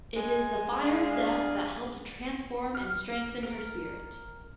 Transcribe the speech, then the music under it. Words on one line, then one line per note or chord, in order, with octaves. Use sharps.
It is the fire of death that helped to transform and strengthen her spirit.
G#3 G#5
D4 G#4 F5
F6
A#4